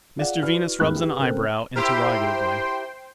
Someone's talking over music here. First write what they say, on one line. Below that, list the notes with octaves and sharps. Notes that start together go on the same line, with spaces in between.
Mr Venus rubs an eyebrow, interrogatively.
F4 G#4 D5 F5 F#5
E4 F#4 B4 D5 F6
A1 E2 D#3 G#3 B5 F#6
G4 G#4 B4
C#3 C4 A4 A#4 C5
E4 G4 A#4 C5 G5 C6